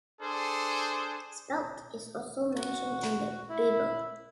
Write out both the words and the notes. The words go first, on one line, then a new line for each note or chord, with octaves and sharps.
Spelt is also mentioned in the Bible.
D4 G#4 A4 C5
F#4
E4